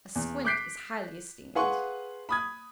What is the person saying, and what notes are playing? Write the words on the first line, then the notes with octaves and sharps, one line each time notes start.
A squint is highly esteemed.
E2
D6 F#6 G6 B6 C7 D7
G#4 B4 F5 F#5 C6 C#6
B5 D#6 G#6